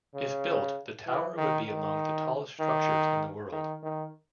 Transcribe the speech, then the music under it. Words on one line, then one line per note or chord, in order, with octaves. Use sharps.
If built the tower would be among the tallest structures in the world.
C#3
E3
D#3
D#3
D#3
D#3
D#3